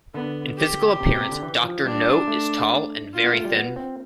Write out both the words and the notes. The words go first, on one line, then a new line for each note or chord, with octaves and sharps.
In physical appearance Doctor No is tall and very thin.
D3 B3
G4
C3
B2
C3
D3
E3
F3
G3 D4
A3
F4
B3
A3
G3
B3
C4